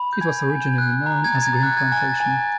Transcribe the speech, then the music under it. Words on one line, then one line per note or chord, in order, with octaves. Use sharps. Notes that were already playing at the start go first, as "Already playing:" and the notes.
It was originally known as Green Plantation.
Already playing: B5
G6
G#5 G#6
G#5
F#6
A#5
G#6
A#5 A6
G#6
A6
F#6 G#6
G#6
G#5 A6
G#5